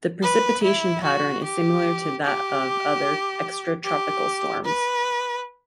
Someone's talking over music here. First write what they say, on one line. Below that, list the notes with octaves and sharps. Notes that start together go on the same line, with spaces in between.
The precipitation pattern is similar to that of other extratropical storms.
B4
E4
F#4
G4
G4
G4
B4